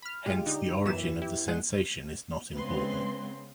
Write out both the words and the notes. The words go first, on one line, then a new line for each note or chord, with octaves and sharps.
Hence, the origin of the sensation is not important.
B5 F6
G#3 F4 G4
D3 D#4
F#2 E3 B3 E7
E4 G4
G#3 F#5
C#3 G#3 B3 C4 B4 C6